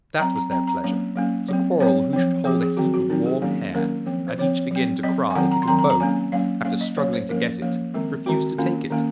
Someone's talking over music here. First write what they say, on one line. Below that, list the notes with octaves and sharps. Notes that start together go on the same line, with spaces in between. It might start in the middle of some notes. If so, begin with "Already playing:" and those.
That was their pleasure! to quarrel who should hold a heap of warm hair, and each begin to cry because both, after struggling to get it, refused to take it.
F#3 C4 A#5
A#5
F#3 C4 A#5
A#5
F#3 A#3 C#4
F#3 A#3 C#4
F#3 C4
F#3 C4 C#5
F3 C4
F3 C4 G#4
G#4
D#3 F#3 C4 F#4
F#4
D#3 F#3 C4 D#4
G#4
D#3 F#3 A#3 C#4
D#3 F#3 A#3 C#4 A#4
F3 C4
C5
F3 C4 C#5
F#3 C4
F#3 C4 D#5
G#5
D#3 F#3 C4 F#5
A#5
C6
D#3 F#3 C4 A#5
A#5
A#5
F#3 A#3 C#4 G#5
F#3 A#3 C#4 F5
F#3 A#3 C#4 F5
D#5
F#3 A#3 C#4 C#5
C5
F3 A#3 C#4 A#4
F3 A#3 C#4
D#3 G#3 C4
D#3 G#3 C4 F#4
D#3 A#3 C#4 F4
D#3 A#3 C#4